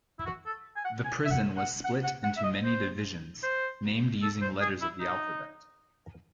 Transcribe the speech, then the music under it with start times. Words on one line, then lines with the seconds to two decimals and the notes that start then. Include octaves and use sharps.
The prison was split into many divisions, named using letters of the alphabet.
0.19 E4
0.26 F#4
0.46 A4
0.76 G#5
0.85 F#5
1.05 G#5
1.25 E5
1.31 F#5
1.57 F#5
1.85 F#5
2.04 F#5
2.24 F#5
2.37 E5
2.43 D#5
2.64 C5
3.43 C5
4.22 A4
4.42 C5
4.61 G#4
4.81 E4
5.01 D#4